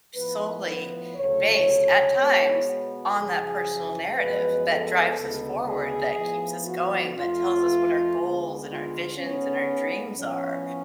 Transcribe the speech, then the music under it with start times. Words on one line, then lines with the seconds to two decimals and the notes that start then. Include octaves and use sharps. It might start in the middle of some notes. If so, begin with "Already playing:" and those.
solely based, at times, on that personal narrative that drives us forward, that keeps us going, that tells us what our goals and our visions and our dreams are
0.15 A2 F3 B3 B4
0.65 B4
1.15 D2 C#3 F#3 A3 C#5
2.15 B2 G#3 B3
3.15 F#2 C#3 F3 G#4
4.15 F#2 F3 G#3 B3 B4
4.65 A4
5.15 D2 C#3 G#3 B3
5.66 G#4
6.15 A2 F3 B3
6.65 F#4
7.16 F2 F3 A3 F4
8.16 D2 D3 G#3 B3
8.66 F4
9.16 G#2 G#3 B3 C#4
10.16 A2 F3 B3 C#4